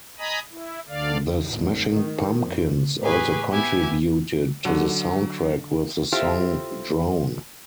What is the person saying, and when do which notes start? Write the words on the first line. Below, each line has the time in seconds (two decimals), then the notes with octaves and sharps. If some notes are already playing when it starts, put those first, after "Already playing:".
The Smashing Pumpkins also contributed to the soundtrack with the song "Drown".
0.19 D#5 G#5 A#5 B5 D#6
0.51 E4
0.88 D2 D3 D5 F5
1.50 G#1
1.91 D#3
2.36 F2
3.02 A2 G4 G#4 B4 G#5 C#6
3.50 B3 E4 G4 G#5
4.65 D3 F#3
6.12 C4 E4 F4 G4 A4 C5